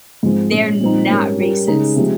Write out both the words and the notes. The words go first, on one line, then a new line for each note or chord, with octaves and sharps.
they're not racist.
G#2 F3 G#3 C4
A#2 G#3 C#4
A#2 F3 C4 D#4
G#2 G3 C#4 G4 A#4
G3 C#4 G4 A#4
C#3 G#3 D#4 G#4
C3 F3 G#3